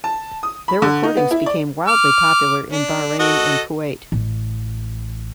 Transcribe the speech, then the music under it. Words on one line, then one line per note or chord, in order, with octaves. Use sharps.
Their recordings became widely popular in Bahrain and Kuwait.
A5
D#6
B5
D3
D#4
B3
E4
D5
D6 F6
D4
F#4 A4 D#5
A1